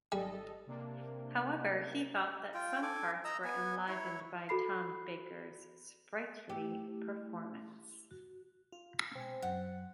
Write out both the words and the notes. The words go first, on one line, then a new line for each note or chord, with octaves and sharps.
However, he felt that some parts were "enlivened by Tom Baker's sprightly performance".
G#1 G3 A4 D#5
C3 A#3 D4
F4 G5
A4 G#5 D6
D#5 A#5 E6
B3 G#5
E4 C#5
F#4 A4 B5 C7
A3 E4 G4
F#4
F4
B2 G#3 C4 G#5
F#2 F#3 F#5